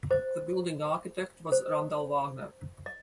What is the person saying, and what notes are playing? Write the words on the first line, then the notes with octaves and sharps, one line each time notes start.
The building architect was Randall Wagner.
C5 D#5
C5
D#5